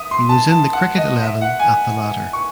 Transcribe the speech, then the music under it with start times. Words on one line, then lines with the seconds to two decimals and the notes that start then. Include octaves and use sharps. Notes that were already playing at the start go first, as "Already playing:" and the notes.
He was in the cricket eleven at the latter.
Already playing: E5 D#6
0.11 C6
0.29 A5
0.49 A5
0.73 F#5
0.97 D#5
1.22 E5
1.41 F#5
1.60 G#5
2.33 C#6